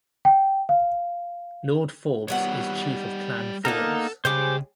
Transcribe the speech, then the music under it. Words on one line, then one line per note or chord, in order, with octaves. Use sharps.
Lord Forbes is Chief of Clan Forbes.
G5
F5
D#3 G3 B3 C#5 F#5
A#3 B3 D4 D#4 A4 A#4
C#3 G3 G#3 G#4 C5 D6